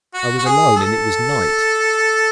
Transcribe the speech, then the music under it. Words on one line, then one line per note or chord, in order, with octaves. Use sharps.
I was alone and it was night.
F#4
F#4
G#4
A4